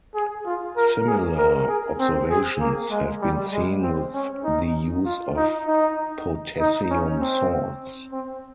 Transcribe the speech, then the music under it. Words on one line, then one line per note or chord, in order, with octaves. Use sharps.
Similar observations have been seen with the use of potassium salts.
G#4
F4
A#4
G#4
A#4
G#4
C4
G#4
A#3
G#3
G3
G#3
C4
C#4
D#4
F4
D#4
D#4
D#4
C#4
C4
C4